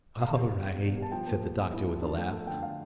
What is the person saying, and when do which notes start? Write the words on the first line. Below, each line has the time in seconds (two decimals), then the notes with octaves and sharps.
"All right," said the Doctor with a laugh.
0.22 E1 F5
0.37 G3
0.52 G3
0.67 E2
0.82 E2
0.97 G3
1.02 A5
1.12 F3 G5
1.27 A#3
1.42 A#3
1.57 F3
1.73 E4
1.87 F3
2.02 D4
2.17 A3
2.33 A3
2.47 D3 G5
2.63 F5